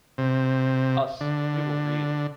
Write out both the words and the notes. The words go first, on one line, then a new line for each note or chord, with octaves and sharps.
Us, we will read.
C3
D3